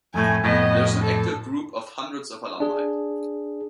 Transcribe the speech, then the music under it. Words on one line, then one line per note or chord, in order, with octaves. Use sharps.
There is an active group of hundreds of alumni.
F2 A2 A3 G#5
F2 A2 B3 D#5
A4
D4 G#4